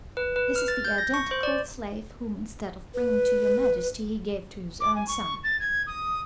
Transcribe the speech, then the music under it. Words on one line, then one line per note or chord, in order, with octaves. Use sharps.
This is the identical slave, whom instead of bringing to your Majesty he gave to his own son.
B4
B4
F6
A6
G6
A#6
C#6
C5
D5
B4
D6
G#5
C#6
A6
G#6
D#6